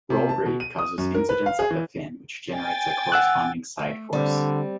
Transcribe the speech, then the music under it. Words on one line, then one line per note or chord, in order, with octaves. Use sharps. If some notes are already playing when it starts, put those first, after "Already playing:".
Roll rate causes incidence at the fin, which generates a corresponding side force.
C3
A5
B2
D#7
D#6
F#2
A#4
B4
F5
G#4
E3
G5 G#5 A6
F#5 E6 F#6
A3
D3 G3 C4